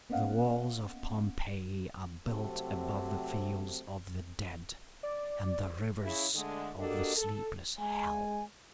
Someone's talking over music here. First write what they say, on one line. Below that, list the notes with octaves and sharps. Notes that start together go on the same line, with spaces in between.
The walls of Pompeii are built above the fields of the Dead, and the rivers of the sleepless Hell.
A#3 B3 C#4 D#5 F5 F#5
C3 F#3 A3 C4
D5
C#3 E4
D3 G#3 A3
A#3 D4 F#4 G4 A4 D#5
A4
G#3 G#5